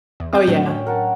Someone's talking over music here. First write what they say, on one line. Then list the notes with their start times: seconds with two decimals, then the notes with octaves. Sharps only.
Oh, yeah.
0.20 E2
0.33 C4 G6
0.48 A2 F#3 D4
0.66 C#4 G5
0.87 A#4 F#5 A5